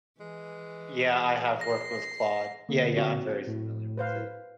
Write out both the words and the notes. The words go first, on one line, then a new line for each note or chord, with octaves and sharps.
Yeah, I have worked with Claude. Yeah, yeah, I'm very familiar with it.
E3 G#3
A#6 C7
D3 A#3
C4 F#4
A2
B4 C5 F5